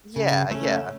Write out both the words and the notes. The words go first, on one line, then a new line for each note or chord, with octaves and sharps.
Yeah, yeah.
C#3
A3 C#4